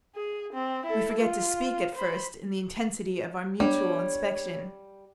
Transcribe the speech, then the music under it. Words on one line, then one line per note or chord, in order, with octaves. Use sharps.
We forget to speak at first in the intensity of our mutual inspection.
G#4
C4
E4 A4
F4
C5 B5
G3 B3 D4 C#5